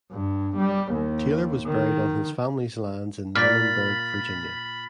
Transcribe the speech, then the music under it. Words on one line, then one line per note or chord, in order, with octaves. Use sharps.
Taylor was buried on his family's land in Lunenburg, Virginia.
G2
G3
D#2
D#3
A#2 B5 F6 A6 B6